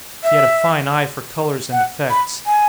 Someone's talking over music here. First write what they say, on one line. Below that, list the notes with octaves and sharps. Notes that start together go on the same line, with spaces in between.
He had a fine eye for colors and effects.
E5
F#5
B5
G#5